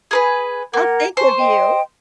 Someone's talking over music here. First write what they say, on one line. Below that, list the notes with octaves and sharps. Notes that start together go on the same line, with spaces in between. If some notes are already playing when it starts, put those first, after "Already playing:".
I'll think of you.
G#4 A#4 B4
A#3 A#4 F#5
C5 G#5 A5 C#6
D#5 G5